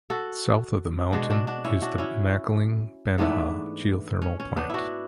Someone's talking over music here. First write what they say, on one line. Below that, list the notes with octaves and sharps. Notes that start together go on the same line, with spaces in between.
South of the mountain is the Makiling-Banahaw Geothermal Plant.
F#4 A4
B2 G#3 D4 F#4
D4 F#4
D4 F#4
C#4 E4
D4 F#4
C#4 E4
G#2 E3 A3 B3 D4
C#4
C#4
B3 D4
D4 E4 F#4